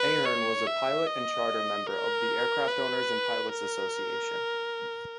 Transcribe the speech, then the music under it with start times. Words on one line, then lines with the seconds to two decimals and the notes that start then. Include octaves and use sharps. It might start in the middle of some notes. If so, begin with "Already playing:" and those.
Aherne was a pilot and charter member of the Aircraft Owners and Pilots Association.
Already playing: B4
0.25 C#5
0.67 E5
1.07 D#5
1.87 A#4
2.68 B4
3.50 A#4